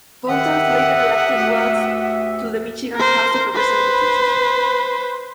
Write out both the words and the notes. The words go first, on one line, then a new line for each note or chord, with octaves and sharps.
Voters later elected Wells to the Michigan House of Representatives.
D#3 G4 D#5 E5 F#5
D2
A#4 C5
B4 C5